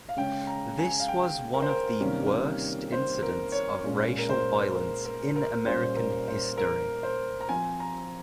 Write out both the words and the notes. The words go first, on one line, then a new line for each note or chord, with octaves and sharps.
This was one of the worst incidents of racial violence in American history.
F5
C#3 G#3 C#4 G5
A#5
G#5
F5
G5
A#4
C5
A#4
C3 D#3 G3 A#3 C#4
C5
A#4
C#5
A#2 G#3 C#4
A#4
C5
A#4
A#4
A#4
A#2 G3 C#4 C5
A#4
C5
A#4
C5
A#5
F3 C4 G#5
A#5